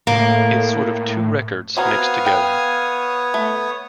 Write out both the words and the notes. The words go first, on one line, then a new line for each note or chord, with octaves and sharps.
It's sort of two records mixed together.
A2 A#3
B3 C4 F#4 C#5 F5 G#5 A#5 D#6
G5
A3